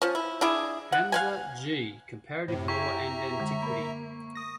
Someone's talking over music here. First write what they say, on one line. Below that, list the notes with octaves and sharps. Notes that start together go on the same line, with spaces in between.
Hamza, G., Comparative Law and Antiquity.
F3 C#4
E4
D4 E4 G#4
F#5
F5 F#5 G#5
F#2 A2 C3 C5
E4 G4 G#4 E5 A#5 C#6
D3 G#3
A#3 A#4 B5
D#6 A#6